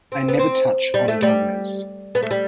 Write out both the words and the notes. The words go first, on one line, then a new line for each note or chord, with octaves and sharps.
I never touch on dogmas.
C4
B3
C4
G3
A3
G3
B3
A3
G3